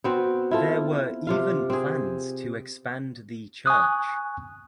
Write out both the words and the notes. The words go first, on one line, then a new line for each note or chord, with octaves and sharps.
There were even plans to expand the church.
B3 C4 F#4
E4 F4 A4
C3 F4 F5
C4 G#4
G#5 C#6 D#6 F#6